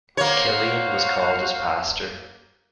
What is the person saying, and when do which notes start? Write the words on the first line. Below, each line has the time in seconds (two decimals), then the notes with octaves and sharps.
Kilian was called as Pastor.
0.17 A#3 F#4 C5 C#5 F5